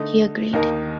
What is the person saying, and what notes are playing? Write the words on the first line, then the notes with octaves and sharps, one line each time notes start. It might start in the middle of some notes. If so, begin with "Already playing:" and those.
He agreed.
Already playing: D3 A3 D#4
D#2 D#3 A#3 D#4 A#4